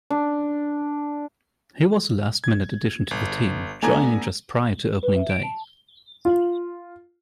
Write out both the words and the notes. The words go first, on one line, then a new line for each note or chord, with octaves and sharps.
He was a last-minute addition to the team, joining just prior to opening day.
D4
G#6
G1
A3 B3 D4 G#5 A#5 G#6
B4
E5
D7
A5
F4